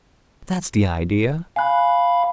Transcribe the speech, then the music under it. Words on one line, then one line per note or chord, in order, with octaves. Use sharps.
"That's the idea!"
F5 G#5 B5 F#6